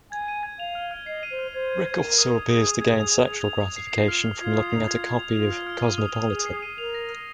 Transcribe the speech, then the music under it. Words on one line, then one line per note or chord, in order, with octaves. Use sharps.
Rik also appears to gain sexual gratification from looking at a copy of "Cosmopolitan".
G#5 G#6
D#7
G#6
F5 F7
F6
F6
D#5 C7
D#7
C5
F6
C5 G#6
G#6
C5 G#6
A#4 D#7
D#6
D#6
G#4 D#6
D#6
G#6
F7
F7
F7
F7
D#6
C7
F4 C7
F6
F6
F4 G#6
D#6
D#4 F7
F4 G#6
G#6
F7
F4 F7
F6
F6
D#7
D#6
D#6
G#4 D#6
C7
D#7
A#4 F7
A#6
F6